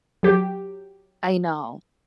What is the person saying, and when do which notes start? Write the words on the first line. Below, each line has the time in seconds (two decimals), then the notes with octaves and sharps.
I know.
0.23 F#3 G4